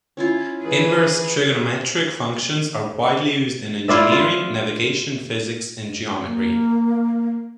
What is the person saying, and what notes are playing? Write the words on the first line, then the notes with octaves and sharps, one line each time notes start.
Inverse trigonometric functions are widely used in engineering, navigation, physics, and geometry.
C#4 E4 F4
E3 G#4 B4
E4 F4 D5 E5
F4
A#3